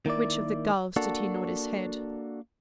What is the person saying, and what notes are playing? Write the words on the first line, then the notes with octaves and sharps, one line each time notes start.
To which of the gulfs did he nod his head?
D#3 A#3 E4 D5
A#3 D4 F#4 A4